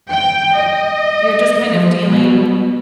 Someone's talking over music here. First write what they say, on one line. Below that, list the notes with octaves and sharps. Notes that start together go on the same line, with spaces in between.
you're just kind of dealing
G5
D#5
F3
B2